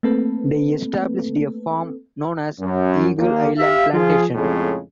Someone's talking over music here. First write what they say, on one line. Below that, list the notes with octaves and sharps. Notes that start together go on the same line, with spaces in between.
They established a farm known as Eagle Island Plantation.
A3 A#3 C4 A4 B4
F#2
D#2 A#3
G4 E5 F5
F3 F4 G#4
F2 A2 C#3 G#3